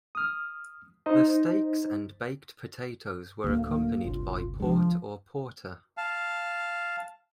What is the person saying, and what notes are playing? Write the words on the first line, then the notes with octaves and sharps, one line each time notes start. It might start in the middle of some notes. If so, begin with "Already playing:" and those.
The steaks and baked potatoes were accompanied by port or porter.
D#6 F6
D#4 C5 D#5
D1 G1 D2 A#3
A#3
D1 G1 C2 F4
C2 D3 F3 G#3
F5 A5